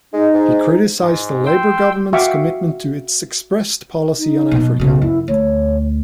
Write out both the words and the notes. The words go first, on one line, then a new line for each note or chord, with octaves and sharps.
He criticised the Labour government's commitment to its expressed policy on Africa.
G#3 D#4
G#2
G#2
G5 C6 E6
F#4 E5 F5 G5 C#6 D6
D#4
B2 F#3
B1 C#3 F#4
F#2 E4
D2 C#5